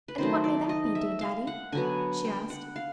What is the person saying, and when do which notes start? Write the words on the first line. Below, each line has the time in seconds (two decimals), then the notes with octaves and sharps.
"And what may that be, dear Daddy?" she asked.
0.08 B4
0.18 D#3 F#3 A3 C5
0.44 D5
0.69 D#5
0.95 E5
1.21 F5
1.47 F#5
1.72 D3 F#3 B3 G#5
2.25 G5
2.50 F#5
2.76 F5